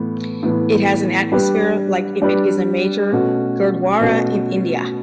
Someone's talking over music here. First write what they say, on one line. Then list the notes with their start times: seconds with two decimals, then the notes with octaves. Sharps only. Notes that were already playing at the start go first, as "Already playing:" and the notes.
It has an atmosphere like if it is a major Gurdwara in India.
Already playing: A2 E3 B3
0.43 A2 E3 B3
1.32 G3 D4 G4 B4
2.22 G3 D4 G4 B4
3.12 B2 A3 C#4 F#4
4.01 B2 A3 C#4 F#4